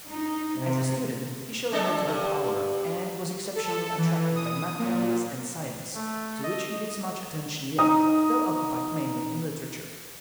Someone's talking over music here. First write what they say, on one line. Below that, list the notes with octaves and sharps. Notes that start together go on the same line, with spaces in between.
As a student he showed notable power, and was exceptionally attracted by mathematics and science, to which he gives much attention yet, though occupied mainly in literature.
D#4
C3
G#3 D4 A4
G2
A4
E3
D#6
A#2
A3
D#5
D#4 A#5 D#6